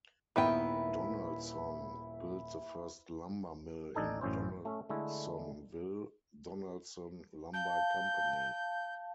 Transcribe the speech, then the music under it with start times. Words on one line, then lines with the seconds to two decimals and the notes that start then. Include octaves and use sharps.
Donalson built the first lumber mill in Donalsonville, Donalson Lumber Company.
0.36 D#1 D#3 B3 E4 G5 B5
3.94 A1 D4 D#4 A4 G#5
4.21 A1 F#2 C#4 E4 C5
4.65 A3 C#4
4.89 D3 G#3 A3 E4
7.54 F5 A5 G6